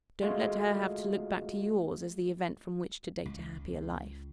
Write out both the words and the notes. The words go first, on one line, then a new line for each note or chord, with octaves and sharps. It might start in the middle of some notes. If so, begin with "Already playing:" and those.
Don't let her have to look back to yours, as the event from which to date a happier life.
G#3 A3 F4 F#4
C#2